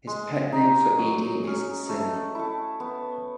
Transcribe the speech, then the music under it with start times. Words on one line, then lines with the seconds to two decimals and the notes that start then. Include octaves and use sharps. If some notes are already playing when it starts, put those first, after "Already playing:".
His pet name for Edie is "Silly".
0.07 G#3
0.52 D#4 G#4
0.98 F#3
1.44 C#4 G#4
1.89 A3
2.35 E4 A4
2.80 B3